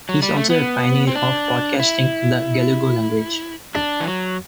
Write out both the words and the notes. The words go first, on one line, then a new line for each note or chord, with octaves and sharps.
He is also a pioneer of podcasting in the Galego language.
F#3
G3
A3
B3
C4
D4
E4
D4
E3
F#3